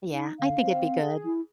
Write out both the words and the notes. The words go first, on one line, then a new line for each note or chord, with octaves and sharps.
Yeah, I think it'd be good.
D#4
D3 F5
C4
G#4
E4